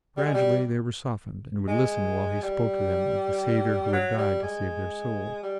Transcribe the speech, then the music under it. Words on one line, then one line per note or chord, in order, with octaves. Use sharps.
Gradually they were softened and would listen while he spoke to them of the Saviour who had died to save their souls.
G3
G#3
G3
G#3
G3
F#3
G3
G#3
G3